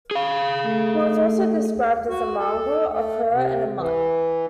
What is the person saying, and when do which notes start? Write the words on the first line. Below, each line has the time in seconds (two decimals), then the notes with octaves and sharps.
He was also described as a mongrel, a cur, and a mutt.
0.11 G#4 F5
0.66 A3
2.09 F#4
2.38 A4
2.90 A3
3.32 C3
3.78 E3